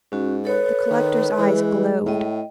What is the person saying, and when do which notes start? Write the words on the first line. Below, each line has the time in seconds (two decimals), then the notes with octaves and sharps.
The collector's eyes glowed.
0.12 G#2 C#4 F#4
0.45 A4 B4 C#5
0.91 D#3
1.38 E3 G#3
2.06 A2 D#5 G5